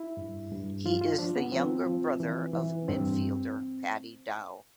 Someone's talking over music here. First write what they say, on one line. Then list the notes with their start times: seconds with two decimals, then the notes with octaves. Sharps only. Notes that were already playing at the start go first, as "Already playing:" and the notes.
He is the younger brother of midfielder Paddy Dow.
Already playing: E4
0.17 G2
0.51 G2
0.86 F3 F4
1.01 F4
1.18 F3 D4
1.36 B3
1.52 F3 C4
1.86 F3
2.20 E3
2.54 E3
2.88 G2 C4